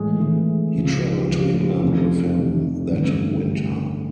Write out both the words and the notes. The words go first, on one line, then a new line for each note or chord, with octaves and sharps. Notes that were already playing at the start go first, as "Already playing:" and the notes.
He traveled to England with him that winter.
Already playing: A2 E3 G#3
A2 E3 G#3
C#2 C#3 F3
C#2 C#3 F3
F1 F2 C3
F1 F2 C3
A1 G2 D3